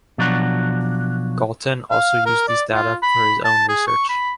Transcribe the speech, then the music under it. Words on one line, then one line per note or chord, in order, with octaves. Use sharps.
Galton also used these data for his own research.
B2 F3 F#3 D4 F#4
F5
A#4
D5
F4
B5
A5
G#4
C#6
B5